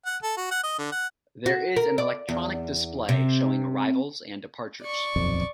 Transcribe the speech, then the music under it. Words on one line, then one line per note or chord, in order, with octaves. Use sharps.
There is an electronic display showing arrivals and departures.
F#5
A4
F#4
F#5
D#5
D3
F#5
F#4
A#4
D5
E2
C3
D5 C#6
D#1 B1 F2